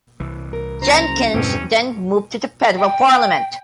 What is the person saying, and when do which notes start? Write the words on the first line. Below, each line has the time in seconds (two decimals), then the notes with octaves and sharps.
Jenkins then moved to the Federal Parliament.
0.20 C2 E3
0.53 A#4
0.82 F#1 C5 A#5
1.34 E2 G2 B2 E3 C4 C#4
2.77 G5